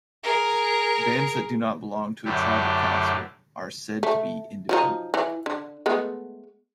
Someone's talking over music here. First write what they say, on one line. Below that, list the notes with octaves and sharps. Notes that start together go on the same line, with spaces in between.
Bands that do not belong to a tribal council are said to be "independent".
G#4 A#4
F#2 A2 D3 G4
A3
F3 F#3 D#4
E3
D3
G#3 A3 B3